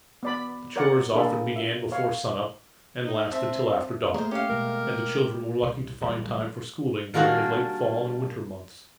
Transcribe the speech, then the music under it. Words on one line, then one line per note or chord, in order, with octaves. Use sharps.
The chores often began before sun-up, and lasted till after dark; and the children were lucky to find time for schooling during the late Fall and Winter months.
B3 D5 B5
A#4 C#5 D5 F#5
A#3 D4 G#4 A4 B5
E5
C#5 F5
D#4
C4 E5 A5
A3 A#3 G#4 A#4 C5
C#4 G4 F5
B2 G#3 A#4
C2
D1 A1 F#3 G3
D#3 G3 A#3 D4 F#4 G#4